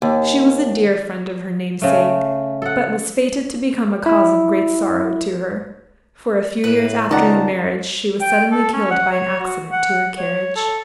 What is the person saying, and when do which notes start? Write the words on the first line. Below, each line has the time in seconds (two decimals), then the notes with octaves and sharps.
She was a dear friend of her namesake, but was fated to become a cause of great sorrow to her, for a few years after the marriage she was suddenly killed by an accident to her carriage.
0.02 D#2
1.82 C#3 A3
2.62 A4 F#5
4.06 E4
6.64 A2 B4
7.11 C#2 D#3 D#4 D5 F#5 A5 A#5
8.21 G5
8.52 A4
8.73 C#4
8.91 F#5
9.12 C#5
9.40 F#4
9.72 F#5
10.18 C#5
10.56 A4